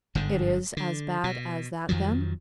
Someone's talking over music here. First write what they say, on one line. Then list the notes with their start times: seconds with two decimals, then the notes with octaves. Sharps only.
"It is as bad as that, then?"
0.15 G1 G#2 D3
0.77 D3
1.24 B2
1.89 F2 D#3 F3 F#3